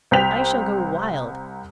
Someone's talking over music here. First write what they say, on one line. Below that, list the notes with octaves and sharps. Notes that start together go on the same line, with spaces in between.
I shall go wild!
C2 C5 G5 B6 F7